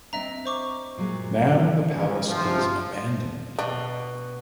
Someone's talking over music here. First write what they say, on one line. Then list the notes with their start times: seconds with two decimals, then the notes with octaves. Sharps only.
Now the palace is abandoned.
0.13 C4 D4 D#5 E5 A#5
0.45 C5 C#6 D6
0.98 A#2 F#3 G#3
1.92 C#2
2.26 C3 F3
3.59 B2 D4